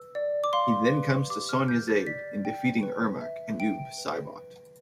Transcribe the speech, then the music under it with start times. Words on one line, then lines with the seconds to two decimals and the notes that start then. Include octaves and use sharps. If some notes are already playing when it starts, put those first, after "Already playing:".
He then comes to Sonya's aid in defeating Ermac and Noob Saibot.
Already playing: B4 E6
0.15 D5
0.44 D6
0.53 F5 C6
0.91 B4
1.30 G4 D6
1.49 F6
1.68 B4 G6
1.88 A6
2.07 D5 B6
2.45 G5
2.83 B4
3.21 E5
3.60 G5 D7
3.98 B4
4.36 B4